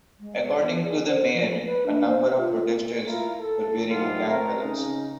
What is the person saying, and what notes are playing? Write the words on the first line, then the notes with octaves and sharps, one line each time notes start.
According to the mayor, a number of protesters were wearing gang colors.
G#3
C#5
B3
G#4
C5
F3
B4
D4
C5
F4
E4 F4 A#4
A4
G#2 C3 D#3 F#3 B3 F4
A3 C4 A#4
C#3 D#4